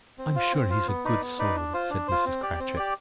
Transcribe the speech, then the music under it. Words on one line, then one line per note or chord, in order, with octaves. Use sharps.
"I'm sure he's a good soul!" said Mrs. Cratchit.
C4
F4 C5 F5
C4
F4 C5 F5
B3
D#4 B4 D5
B3
D#4 B4 D5
D4
F4 C5
D4
F4 C5
C4
G4 D5
C4
G4 D5